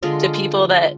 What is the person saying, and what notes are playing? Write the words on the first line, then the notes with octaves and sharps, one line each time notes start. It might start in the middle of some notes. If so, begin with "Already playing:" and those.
to people that
D3 G#3 F4 D#5